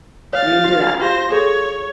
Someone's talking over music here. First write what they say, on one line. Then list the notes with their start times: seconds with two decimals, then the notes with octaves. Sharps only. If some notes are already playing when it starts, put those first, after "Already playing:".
I don't even do that.
0.33 C#5 F5 A6
0.64 F#4
1.01 F4 G4 C5 F5 A#6
1.32 G#4 A4 C#5